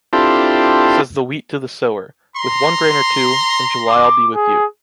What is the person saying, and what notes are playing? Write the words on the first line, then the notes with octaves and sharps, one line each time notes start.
Says the wheat to the sower: with one grain or two, in July I’ll be with you.
C4 D4 E4 F4 G4 A4
A#5 C6
D6
G#4